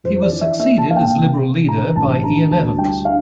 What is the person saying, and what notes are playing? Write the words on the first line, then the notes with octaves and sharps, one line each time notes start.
He was succeeded as Liberal leader by Iain Evans.
F2 C5
D5
E3
E5
A#3 E5
A5
A#3 F5
G5
C3
C3
D3 A#5
A1 A5
D4 A#5
D2 A5
G3 G5
D4 F5